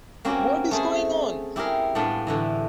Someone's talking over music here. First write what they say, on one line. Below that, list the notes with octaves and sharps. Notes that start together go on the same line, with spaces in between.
What is going on?
A#3 C4 C#4 F#4 G4
A3 G#4 C5
E4 G4 G#4 A#4
A2 G3 B3 D4 F4
A2 D3 E3